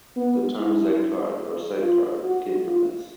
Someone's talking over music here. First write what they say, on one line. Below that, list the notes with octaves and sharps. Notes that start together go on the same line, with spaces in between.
The terms Zed Card or Sed Card came from this.
B3
E4
F4
F#4
F4